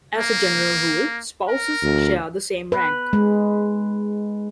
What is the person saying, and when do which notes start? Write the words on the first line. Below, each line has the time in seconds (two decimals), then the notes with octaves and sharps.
As a general rule, spouses share the same rank.
0.18 A#3
1.48 A#4
1.82 D2
2.72 B4
3.13 G#3